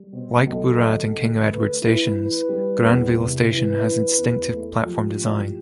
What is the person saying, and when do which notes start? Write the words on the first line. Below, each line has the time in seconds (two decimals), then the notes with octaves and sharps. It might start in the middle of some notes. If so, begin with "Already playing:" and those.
Like Burrard and King Edward stations, Granville station has a distinctive platform design.
Already playing: G3
0.12 B2 C4
0.46 B1 A4
0.80 D2
1.14 D2
1.48 A3 B4
1.82 E4 B4
2.15 E3 B4
2.49 G3
2.83 E2
3.17 C3
3.50 E3 B4
3.84 E3
4.18 E2
4.52 A3
4.85 F3 G4
5.19 A2